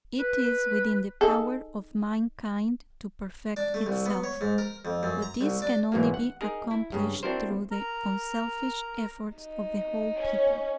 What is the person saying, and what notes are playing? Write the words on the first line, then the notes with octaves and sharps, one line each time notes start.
It is within the power of mankind to perfect itself, but this can only be accomplished through the unselfish efforts of the whole people.
B4
D#4 G#4 A4
D4
A3
C2
B3
C#5
G#2
A#4
F2
F#2
A#5
C2
D4
E2 G#2 B2 E3 F#3 A#3
F#5
D#4 G#4 A#4
E4
G2 C#3
C4 D4 E4 F#4 A#4 C5
A#4 A#5
D#4
C#4